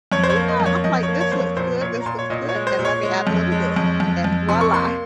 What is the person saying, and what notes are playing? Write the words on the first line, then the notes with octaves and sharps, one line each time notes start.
Yeah. I'm like, "This looks good, this looks good. And let me add a little this and voila.
F2 C#5
C5
C#5
A#3
D#5
F2
C#5
F2 D#5
C#5
A#3
C#5
F2 C5
C#5
A#2 C5
A#2 C#5
A#5
A#2 C6
C#5
A#2 D#5
C#5
G#3
C5
A#2
C#5
G#3
F2
G#3
F2
F2
F2
C3 C6
C#6
A#3 C6